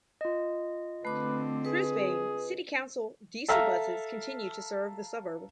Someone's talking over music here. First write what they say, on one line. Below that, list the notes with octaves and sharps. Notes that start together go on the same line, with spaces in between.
Brisbane City Council diesel buses continue to serve the suburb.
F4 D#5
D3 A3 C4 B4 D6
G#4 B4
A4 E5 F5 A#5